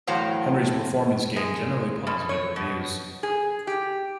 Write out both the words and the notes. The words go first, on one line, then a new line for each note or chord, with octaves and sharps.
Henry's performance gained generally very positive reviews.
E2 A2 F#3 C5 F5
G#3
B2
C#5
B2
G#4
G4